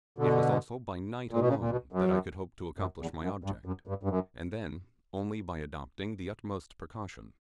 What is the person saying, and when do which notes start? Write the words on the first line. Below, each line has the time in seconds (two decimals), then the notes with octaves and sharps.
It was also by night alone that I could hope to accomplish my object, and then only by adopting the utmost precaution.
0.18 B2 D3
1.31 A#2
1.40 B2
1.48 C#3
1.60 A#2
1.70 B2
1.93 F#2
2.79 F#2
3.00 E2
3.23 F#2
3.44 G2
3.66 F#2
3.87 G2
4.03 G2
4.09 F#2